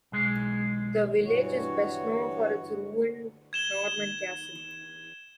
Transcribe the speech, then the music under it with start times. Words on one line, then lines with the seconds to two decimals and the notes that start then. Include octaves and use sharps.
The village is best known for its ruined Norman castle.
0.12 B1 G#3
1.25 G2 E3 F#4 C#5
3.53 G#6 E7 G7